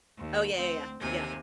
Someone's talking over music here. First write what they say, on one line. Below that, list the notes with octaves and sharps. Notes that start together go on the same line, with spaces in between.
Oh, yeah, yeah, yeah. Yeah.
D#2
D2 C4
D#2 C3 G#5